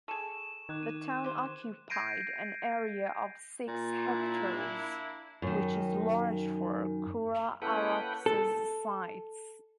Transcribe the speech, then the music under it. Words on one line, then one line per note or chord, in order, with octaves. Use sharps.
The town occupied an area of six hectares, which is large for Kura-Araxes sites.
G#4 A4 C#6 D#7 E7
D#3 D6 F#6 G#6
D#7
G4 C5
G6 G#6 A#6 C7 D7 D#7
A#2
A#3 D4 E4
F#2 D#3
A#3 C#4 E4 A4 B4 F#5 G5
A4